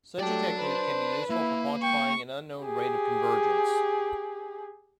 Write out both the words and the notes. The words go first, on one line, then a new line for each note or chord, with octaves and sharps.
Such a technique can be useful for quantifying an unknown rate of convergence.
F#3 A3 G4 D5 A5
B4 C5
A#3 E4
G5 C#6
G4 G#4